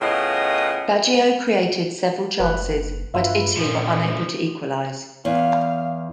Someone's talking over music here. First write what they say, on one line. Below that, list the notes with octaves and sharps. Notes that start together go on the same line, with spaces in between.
Baggio created several chances, but Italy were unable to equalise.
A2 C#3 B3 F4 D#5
F#1 B4
G2 F4 B4 E5 F5 C6
G#1 A#2 D3 F3 C#4 D#5
E2 F5